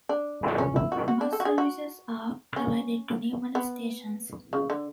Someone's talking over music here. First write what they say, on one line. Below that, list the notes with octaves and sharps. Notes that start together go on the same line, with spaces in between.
Bus services are provided to numerous stations.
D4
C#4
E4
F#4
F#4
D4
A4
F#4
G#4
F#4
C#4
B3
C#3
D3